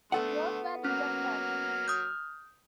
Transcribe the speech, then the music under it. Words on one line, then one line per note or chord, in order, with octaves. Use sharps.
Both were rejected.
D3 A3 B3 A4 F#5
F#3 A#3 C#4 F6
D#6 G6